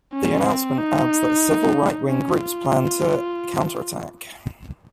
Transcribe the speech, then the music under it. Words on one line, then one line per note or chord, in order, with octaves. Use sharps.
The announcement adds that several right-wing groups plan to counter-attack.
C#4
C4
D#4
C#4
F4